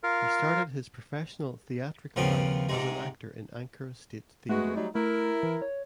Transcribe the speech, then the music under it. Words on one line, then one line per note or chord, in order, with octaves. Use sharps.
He started his professional theatrical life as an actor in Ankara State Theatre.
F4 A#4
D#2 C#3 F3 B3 C4
G#2 C3 G#3
G#3 A3 B3 F#4
F#3 G3 D#4
A3 E4 A#4
E3
C#5